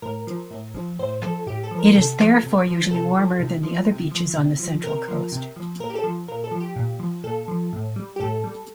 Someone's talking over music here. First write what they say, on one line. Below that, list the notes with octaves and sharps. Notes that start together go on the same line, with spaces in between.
It is therefore usually warmer than the other beaches on the Central Coast.
A2 A#4
F3
A2
F3
A2 C5
F3 A4
A2 G4
A4
F3
A#4
C3 A4
F3
C3
F3
C3 A4
F3
C3
F3
C3
F3
C3
F3
C3 A#4
F3
C3
F3
A#2 A#4
G4
A4
F3
A#2 A#4
A4
F3
G4
A#2
F3
A#2 A4
F3
A2
G3
G4
A2 A4
G3